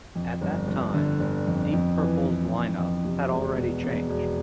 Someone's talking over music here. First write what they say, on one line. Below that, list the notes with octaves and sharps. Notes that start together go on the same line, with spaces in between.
At that time Deep Purple's line-up had already changed.
F2
G1
G1
D3
G1
F2
F2
E3
E3
F2
F2
C3
E1
B2
E1
E1